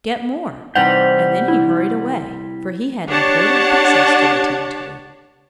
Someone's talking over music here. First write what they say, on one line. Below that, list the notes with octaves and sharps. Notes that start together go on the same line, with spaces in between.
"Get more!" And then he hurried away, for he had important business to attend to.
C3 E3 G3 C4 D#4 F#5 G5 F7
E4
D4 G4 C#5 F#5 A5